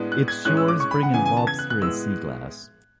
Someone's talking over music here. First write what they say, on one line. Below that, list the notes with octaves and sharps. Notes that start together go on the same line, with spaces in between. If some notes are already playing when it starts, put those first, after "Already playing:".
Its shores bring in lobster and sea glass.
Already playing: A2 G#3 B3 D4
F#6
G#6
A2 G#3 C#4 F#6
E6
D6
C#6
B5
F#5
C#3 E3 B3 G#5
G#5
A5
G#6
F#6
F#6
A2 G#3 B3 E6